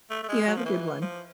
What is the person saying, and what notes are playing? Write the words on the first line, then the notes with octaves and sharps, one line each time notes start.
You have a good one.
A3
A3
G#3
F#3
F3
E3
F3